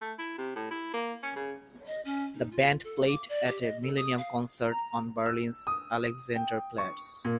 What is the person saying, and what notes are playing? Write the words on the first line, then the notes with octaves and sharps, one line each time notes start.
The band played at a millennium concert on Berlin's Alexanderplatz.
A3
E4
C3
A2
E4
A#3
C#4
C#3
D#5
C#4
D#4
F4
A4
D6
D5
G4
D#5
A4
D#6
F5
A#5
E6
D#6
G5
C#6
A#2